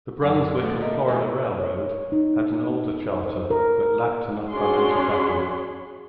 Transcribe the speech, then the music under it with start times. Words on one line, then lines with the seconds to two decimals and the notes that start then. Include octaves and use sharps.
The Brunswick and Florida Railroad had an older charter, but lacked enough financial backing.
0.22 F#2 E4 G#4 B4
0.61 D3 A3 F4 D5
0.81 D#4 A4 A#4 E5
1.08 B2 E3 G#3 B3 G4
1.59 C#5
2.12 D#4
3.26 C5
3.50 A#4
4.52 C#4 D4 F#4 G#4 C#5 C6